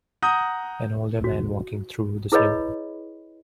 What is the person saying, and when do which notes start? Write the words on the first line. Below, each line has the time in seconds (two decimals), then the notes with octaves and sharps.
An older man walking through the snow.
0.22 F#5 A#5 D#6 G6
1.24 F#4
2.32 E4 G#4 B4 C#5 D#5 B5